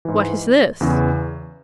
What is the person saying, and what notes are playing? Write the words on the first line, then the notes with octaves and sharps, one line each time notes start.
What is this?
G#2 E3
E2 C#3 E3